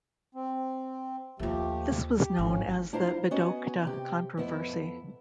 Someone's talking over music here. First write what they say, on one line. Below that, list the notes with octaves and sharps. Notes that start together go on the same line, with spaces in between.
This was known as the Vedokta controversy.
C4
D#2 F3 A3 F4 G4
G4
G#1 D#2 A2 C#4
D4 E4 F4 C5 F5 A#5
B3 C#4 F#4 D#5
C3 G4
F2 B3 E4